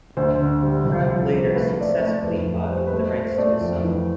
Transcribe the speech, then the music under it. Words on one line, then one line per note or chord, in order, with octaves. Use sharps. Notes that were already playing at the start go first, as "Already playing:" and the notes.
Sharp later successfully fought for the rights to his song.
D2 C5
D3
G3
C2
F3
C4
A3 B4
A3 D5
C5
A3
F2 B4
F2
G3 C5
B4
A3 C5
A3 C5
C5
A3 D5
F2
E3